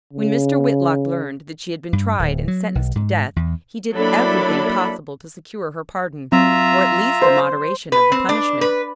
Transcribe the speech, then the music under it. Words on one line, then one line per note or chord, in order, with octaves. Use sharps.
When Mr. Whitlock learned that she had been tried and sentenced to death he did everything possible to secure her pardon, or at least a moderation of the punishment.
C#3
G2
D1
F#3
B1
G#2
E2
F#3 A#3 D4 E4 A4 B5
F#3 C4 F4 E5 A#5
C5
B4
C4
D4
B4